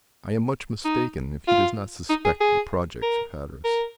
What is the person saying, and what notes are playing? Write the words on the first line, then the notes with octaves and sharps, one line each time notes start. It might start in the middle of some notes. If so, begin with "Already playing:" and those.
"I am much mistaken if he does not suspect the projects of Hatteras."
D#4
F4
D#4
G#4
G#4
A#4
A#4